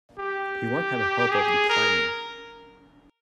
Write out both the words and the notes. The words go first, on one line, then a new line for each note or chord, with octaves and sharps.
He won't have a hope of declining.
G4
G#4
A#4